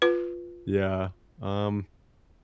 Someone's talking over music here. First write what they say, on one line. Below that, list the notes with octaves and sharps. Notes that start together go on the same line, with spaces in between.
Yeah, um
F4 B4